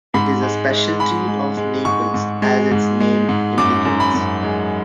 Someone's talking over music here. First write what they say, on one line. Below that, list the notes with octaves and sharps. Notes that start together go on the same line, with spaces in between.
It is a speciality of Naples, as its name indicates.
G#2 B5
G#3
G#3
G#3 B5
G#3
G#3
G#2 C#6
G#2
G#3
G#2
G#3
G#2
F#2 D6
F#2
B5
F#2
G#3